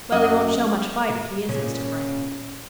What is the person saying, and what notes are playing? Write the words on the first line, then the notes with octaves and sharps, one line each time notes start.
"Well, he won't show much fight if he is Mr. Vrain."
F#2 F#3 F#4 D#5
A#2 C#3 C#4